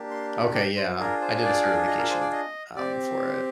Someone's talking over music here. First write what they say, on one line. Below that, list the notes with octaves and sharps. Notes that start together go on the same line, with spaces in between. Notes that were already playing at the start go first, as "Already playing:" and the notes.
Okay, yeah. I did a certification f um, for it.
Already playing: A#3 D4 G4
C6
G5
C5
D4 F4 G#4 A#4
C5
D5
D#5
A#4
C5
D5
D#5
C4 G4 D5